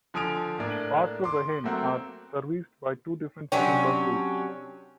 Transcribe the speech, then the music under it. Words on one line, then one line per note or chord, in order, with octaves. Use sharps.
Parts of Raheen are serviced by two different city bus routes.
D3 F3 G#5 D#6 D7 F7
A2 A#3 D4
C6 D6
F#3 A3 A#3 C4 F#4
C3 F#3 C#4 D4 C#5 G5